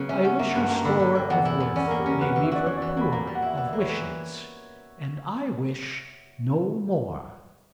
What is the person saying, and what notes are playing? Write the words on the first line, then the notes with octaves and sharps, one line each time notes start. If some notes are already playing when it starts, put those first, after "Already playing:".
I wish her store Of worth may leave her poor Of wishes; and I wish--no more.
Already playing: C#3 F#3 A#3 B3
C#4 E5
C#4 F#5
A#3 E5
F#5
G2
F#5
A#3 A#5
D3 B5
B5
D3
A#3 G5
E2 F#5
E4
E2
C#4 D5
A#4
A#3
G4
C#4 A#4
F#4 B4
F#5
E3
E5
F#4 D5
E3 C#5
D5
E3
C#5
A#3 B5
A#3 A#5
G3
F#5
E4 E5
E3 F#5
E5
A#3
C#5
E3